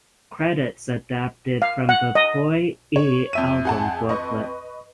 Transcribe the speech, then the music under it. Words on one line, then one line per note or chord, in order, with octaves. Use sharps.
Credits adapted from the "Poi E" album booklet.
F5
F#5
D#5
C#5
F2 E5 D#7
G#4 F#5 A5
B4 D#5 C#6